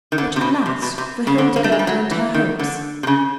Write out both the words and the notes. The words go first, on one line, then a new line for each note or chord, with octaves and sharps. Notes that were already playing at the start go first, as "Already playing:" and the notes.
But alas, for Hildegarde and her hopes!
D#3
D3
C3
B2
C3
B2
C3
C#3
D3
A#3
A3
G#3
G3
F#3
E3
D#3
D3
C3
C#3